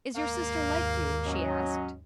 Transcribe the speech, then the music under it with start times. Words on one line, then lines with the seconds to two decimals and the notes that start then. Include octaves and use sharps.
"Is your sister like you?" she asked.
0.16 D#2 G#2 A#3 F5
1.26 F#3 C#4 D#5